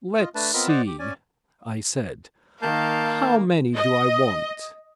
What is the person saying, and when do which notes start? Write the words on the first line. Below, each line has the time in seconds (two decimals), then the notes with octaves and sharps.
"Let's see," I said, "how many do I want?"
0.19 F4 D#5
0.35 A3 D4 B4 A5
0.54 B3 C4 F4 A#4 D#5 B5
0.68 C5 D5 D#5 F#5
0.87 G4
0.99 C#4 D5 G#5
2.62 D#3 A#3 F5 A5 G6
3.75 D#5